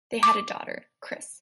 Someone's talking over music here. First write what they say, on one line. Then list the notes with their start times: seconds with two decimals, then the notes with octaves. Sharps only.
They had a daughter, Chris.
0.23 D6